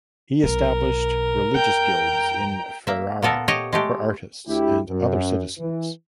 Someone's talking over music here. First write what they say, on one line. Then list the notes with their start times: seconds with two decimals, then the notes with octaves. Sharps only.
He established religious guilds in Ferrara for artists and other citizens.
0.43 B1 B2 A#4
1.54 F2 G5 A#5
2.87 A#3 E5
3.22 A#2 B3 A4 A#4
3.48 G4 C#5 D#5
3.73 G#3 A3 G4
4.47 D2 E4 G4
4.89 F#2
5.59 E3